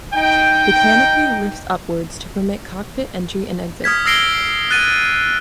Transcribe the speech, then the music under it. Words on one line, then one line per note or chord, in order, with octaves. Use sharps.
The canopy lifts upwards to permit cockpit entry and exit.
D#4 G5
D#6 F6 G#6 B6
E6 G#6 A#6 C7 D7 G7
F#6 A6 D#7